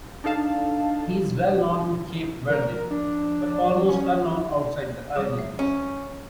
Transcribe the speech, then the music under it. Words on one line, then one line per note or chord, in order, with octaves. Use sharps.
He is well known in Cape Verde, but almost unknown outside the island.
D4 D#4 A4 F5 A5
F3 A#4
D4
C#4
F3 G3 G#4
E5
C#4